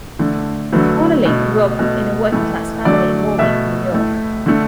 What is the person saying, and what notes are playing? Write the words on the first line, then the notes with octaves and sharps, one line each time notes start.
Connelly grew up in a working-class family in Warwick, New York.
D3 A3
D3 F#3 A3 B4
B2 A3
B2 A3
A2 E3 A3
D3 F#3 A3 D5
B2 A3 E5
A2 A3
D3 A3